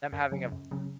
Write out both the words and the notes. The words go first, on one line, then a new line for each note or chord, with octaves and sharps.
them having a
F#2
C#3 F#3 C#4
F#2
C#3 F#3 C#4